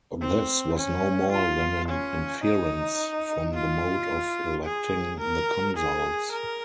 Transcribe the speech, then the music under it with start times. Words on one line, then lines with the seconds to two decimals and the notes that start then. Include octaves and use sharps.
This was no more than an inference from the mode of electing the consuls.
0.21 C4
0.77 C#4
1.32 F4
1.88 C#4
2.44 D#4
3.54 F4
4.65 G#4
5.20 A#4
5.77 G#4
6.32 A#4